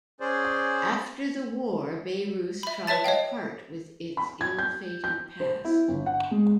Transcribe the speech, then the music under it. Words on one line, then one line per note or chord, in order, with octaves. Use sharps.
After the war Bayreuth tried to part with its ill-fated past.
C#4 G#4 C5 D5
E5 B5
B4 C#5 E5 A5 A6
C#5 D#5 F5 G5
B5
G#6
G6
G6
C5
E4
G1
F#5
G#3